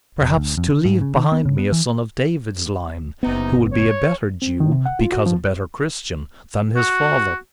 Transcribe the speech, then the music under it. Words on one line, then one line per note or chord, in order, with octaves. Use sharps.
Perhaps to leave behind me a son of David's line, who will be a better Jew, because a better Christian, than his father....
F1
D2
F2
D3
G#2
C#3
D#3
B3
C#3
B3
E3
F#1 C3 B3 D#4
C#5
C4
D#3
C3
F#5
F4
F#4
F3
F#4